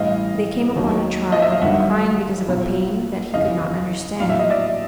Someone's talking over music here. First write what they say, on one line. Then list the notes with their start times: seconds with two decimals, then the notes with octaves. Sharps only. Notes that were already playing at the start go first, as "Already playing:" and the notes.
They came upon a child crying because of a pain that he could not understand.
Already playing: A1 G2 E3 D#5 F5
0.76 D#2 D#3 F#3
1.32 D#5
1.42 E5
1.52 F5
1.62 G1 G2 D#3 F#3 E5 F#5
2.48 B1 A#2 F#3
3.34 F#1 E2 C#3 E3 D#5 F5
4.20 A#1 A2 F#3 F5
4.30 E5
4.39 D#5
4.50 D5 E5